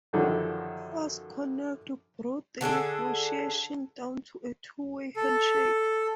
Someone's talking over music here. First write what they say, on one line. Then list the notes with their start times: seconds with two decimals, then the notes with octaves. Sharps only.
Fast Connect brought the negotiation down to a two-way handshake.
0.13 F#2 D3 D#3 F3 G3
2.61 D3 D4 G#4 A4
5.16 A4